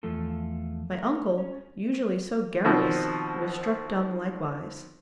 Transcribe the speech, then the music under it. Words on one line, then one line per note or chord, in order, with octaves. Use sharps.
My uncle, usually so garrulous, was struck dumb likewise.
E2 F3 A3 F4 A4
A3 A#4
C#4
B2 D#3 F3 C4